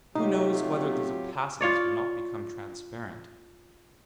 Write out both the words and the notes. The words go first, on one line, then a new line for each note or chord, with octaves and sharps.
Who knows whether these opacities will not become transparent?
C3 F#3 A3 D#4 F4 G4
F4 C#5 D5